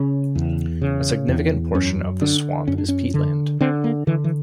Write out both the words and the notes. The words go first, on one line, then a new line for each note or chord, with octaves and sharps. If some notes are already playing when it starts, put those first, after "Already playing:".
A significant portion of the swamp is peatland.
Already playing: C#3 C#4
E2
C#3
E2
F#2 C#4
D3 D4
F#2 C#4
D4
C#4
D3
D3 C4
A#3
D3 E3
E3